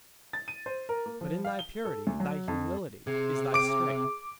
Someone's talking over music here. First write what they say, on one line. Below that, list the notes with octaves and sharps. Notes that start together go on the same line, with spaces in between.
But in thy purity, thy humility, is thy strength.
A6
D#7
C5
A#4
A#3
F3
F5
G7
A4
D2
F#3
F2
C3 G#4
D6 D7